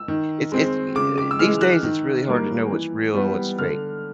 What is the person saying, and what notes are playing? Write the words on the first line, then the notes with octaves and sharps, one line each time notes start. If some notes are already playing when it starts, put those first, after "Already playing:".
It's it's eh, uh, these days, it's really hard to know what's real and what's faked.
Already playing: E6
D#3
G#3 C4
C#3 D6
D6
E6
E3 G#3 F6
F#6
D#3
G3 A#3
E3
G3 B3
D3 F6